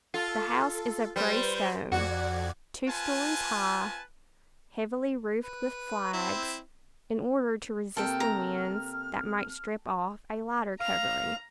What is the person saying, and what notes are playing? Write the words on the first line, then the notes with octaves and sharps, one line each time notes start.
The house is of grey stone, two stories high, heavily roofed with flags, in order to resist the winds that might strip off a lighter covering.
F4 A4
G3 B4 C5
F2 F#4 D5 G#6
C4 F4 B4 G#5 A5
B4
C4 E4
C3 A#3 A4 G5 F6
A#5
F5 A#5 F7